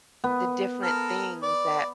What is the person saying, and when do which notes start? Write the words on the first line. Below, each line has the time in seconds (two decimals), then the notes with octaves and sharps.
the different things that
0.24 B3
0.83 A4 A#4 F6
1.42 D5